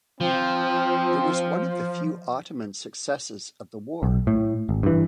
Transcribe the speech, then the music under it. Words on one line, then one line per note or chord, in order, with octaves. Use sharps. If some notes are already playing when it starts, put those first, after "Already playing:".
It was one of the few Ottoman successes of the war.
F3 C4
B1
A2
G#1
G2 E3